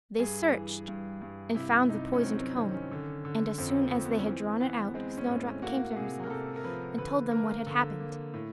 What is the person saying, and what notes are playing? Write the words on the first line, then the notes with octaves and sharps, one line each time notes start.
They searched, and found the poisoned comb; and as soon as they had drawn it out, Snowdrop came to herself, and told them what had happened.
G2 G#4
E3
G2
G2
C3 E4
C3 D#4
C#4
F#3 C4
C4
D#3 C4
C#4
D3
D3
F2 C4
C4
F2
B3
C#4
E3 C4
E3 B3
G#3 C4
C#4
A2
A#3 F#4
C3 G#4
A#4
C3 A4
A#4
F3 B4
D3 B4
A#3 A#4
D3
A#3
A2